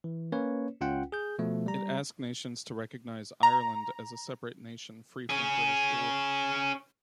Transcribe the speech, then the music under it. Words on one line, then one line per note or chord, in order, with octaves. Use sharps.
It asked nations to recognise Ireland as a separate nation, free from British rule.
E3
A#3 C#4 B4 C#5
C#2 C#4 F4 F#5 G5
G#4 G6
B2 F3 A3
G3 A#5
A#5
C#4 G#4